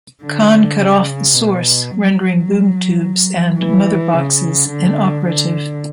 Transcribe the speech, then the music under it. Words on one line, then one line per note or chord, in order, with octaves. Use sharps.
Khan cut off the Source, rendering Boom Tubes and Mother Boxes inoperative.
D3
C#3
B2
F#3
E3
C#3
D3
D3